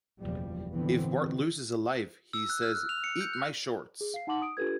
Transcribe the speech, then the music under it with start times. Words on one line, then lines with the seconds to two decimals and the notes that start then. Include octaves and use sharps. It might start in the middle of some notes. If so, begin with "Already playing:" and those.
If Bart loses a life he says Eat my shorts!
0.20 F#1 E2 B2 F3 G3
0.74 A#2 D3 E3 F3 B3 C4
2.33 E6
2.50 F#6
2.62 F6
2.76 F#6
2.89 F7
3.04 C#7
3.21 G6
3.33 F#6
4.01 G#4
4.14 F5 C7
4.27 D#4 F#5 A5 C6 D6 F#7
4.42 D#6 D7
4.57 D4 F4 G4 A4 B4 G#6